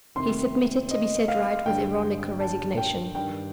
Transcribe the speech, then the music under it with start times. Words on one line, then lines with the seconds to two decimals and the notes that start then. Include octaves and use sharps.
He submitted to be set right with ironical resignation.
0.16 F2 C3 D#3 C6
0.91 D#5
1.28 F5
1.66 G2 D3 G5
2.40 A5
2.78 G5
3.15 G2 D#3 G5